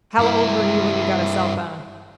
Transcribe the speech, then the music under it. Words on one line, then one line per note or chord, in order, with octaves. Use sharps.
How old were you when you got a cell phone?
G2 E4